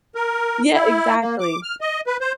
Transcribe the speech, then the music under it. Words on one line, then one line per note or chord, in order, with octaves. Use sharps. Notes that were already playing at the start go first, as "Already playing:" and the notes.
Yeah, exactly.
A#4
E4
A#3
D6
F6
D#5
B4
C5